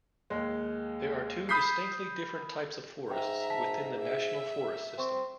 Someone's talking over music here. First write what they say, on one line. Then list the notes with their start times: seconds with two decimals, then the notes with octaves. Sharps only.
There are two distinctly different types of forests within the National Forest system.
0.30 D#2 G#3
1.49 B5 D#6 G6 B6 C7
3.11 G#2 E5 G5 A#5
3.50 A5 B6
3.98 G#4 E5
4.98 C4 G5 C#6